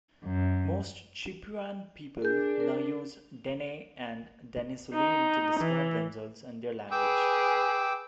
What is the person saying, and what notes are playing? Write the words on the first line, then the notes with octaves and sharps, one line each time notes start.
Most Chipewyan people now use "Dene" and "Denesuline" to describe themselves and their language.
F#2
D4 G#4 A#4 G6
A#4
D#4
E3
G#4 B4 G5 D6 E6